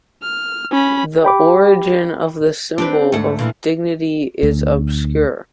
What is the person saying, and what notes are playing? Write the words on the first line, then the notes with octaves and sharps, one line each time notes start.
The origin of this symbol of dignity is obscure.
F6
C#4 B5
G4 G5 B5 D6
C4 D4 G4 B4
D2 G#2 A3 F#5
A#2 E3
D2